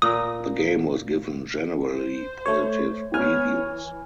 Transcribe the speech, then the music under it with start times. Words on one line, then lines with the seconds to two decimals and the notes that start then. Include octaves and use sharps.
The game was given generally positive reviews.
0.02 A#2 A#4 D#6
1.91 C5
2.46 A3 C#5
3.14 B3 C#5 G#5 F6
3.51 E3